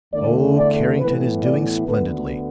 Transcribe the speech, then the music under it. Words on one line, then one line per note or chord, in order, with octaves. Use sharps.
Oh, Carrington is doing splendidly!
E2 D3 A3 D5
D5
A2 E3 B3 B4
D5
D2 D3 B3 B4